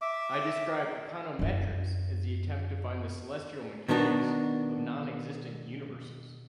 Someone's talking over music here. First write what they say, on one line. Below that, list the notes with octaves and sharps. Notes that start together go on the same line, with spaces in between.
I describe econometrics as the attempt to find the celestial mechanics of non-existent universes.
E5 D6
F#2 E4
B2 D#3 B3 D4 F#4